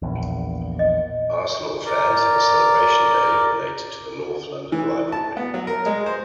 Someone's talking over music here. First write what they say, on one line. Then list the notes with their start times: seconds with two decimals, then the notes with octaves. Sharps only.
Arsenal fans have a celebration day related to the north London rivalry.
0.02 A#1 E2
0.79 D#5
1.86 A#4 D5
4.72 E3
5.12 A5
5.37 B3
5.54 F#3
5.67 A#4
5.86 G#3
6.06 C5